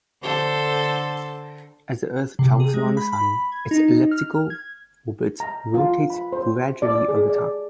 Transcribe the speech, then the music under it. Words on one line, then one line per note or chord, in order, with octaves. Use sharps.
As the Earth travels around the Sun, its elliptical orbit rotates gradually over time.
D3 A4 C5
C3
G#4
G#3
B5
B5
G#6
D#4
F6
G#6
A#5
F4
B5
C5
D5
D5
G#4
D5